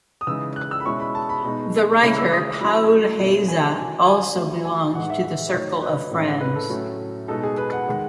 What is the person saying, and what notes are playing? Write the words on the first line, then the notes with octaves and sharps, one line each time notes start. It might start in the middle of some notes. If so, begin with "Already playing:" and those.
The writer Paul Heyse also belonged to the circle of friends.
D#6
C#3 E3 G#3 D#4 E6
F#6
E6
B5
B2 G#3 C#4 E4 C#6
B5
A5
B5
B2 G#3 D#4
C#3 G#3 C#4 E4 B5
E6
D#6
F#3 C#4 E4 B5
B2 F#3 A3 C#4 E4
G#5
D#3 F#3 C#4 E4 G#5
G#5
F#3 A3 E4
G#5
A2 E3 G#3 D#4 F#5
E5
E5
D#3 F#3 A3 D#4 C#5
B4
A2 G#3 C#4 E4
B4
A4
A2 F#3 A3 C#4
B2 G#3 D#4 A4
G#4
B4
F#5
D#3 G#3 D#4